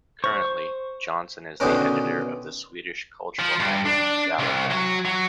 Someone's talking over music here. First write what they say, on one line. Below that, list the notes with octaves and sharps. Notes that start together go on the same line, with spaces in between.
Currently, Jonsson is the editor of the Swedish cultural magazine "Galago".
C5 C#6
B2 D3 D#3 C#4 A#4
F3
G2
D4
C2
F#3
F#3